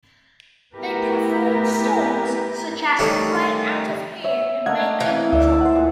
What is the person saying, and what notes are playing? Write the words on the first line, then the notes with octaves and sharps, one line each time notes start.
They performed songs such as "Right Out of Here" and "Make 'em Drop".
A3 B3 E4 G4 A#4 B4
D#3 G3 A3 C#4 E4
C#5 E5
A3 A#3 D#5 F5 F#5 G#6
E3 F5
D2 A4 D5 E5
C5 F#5
A#2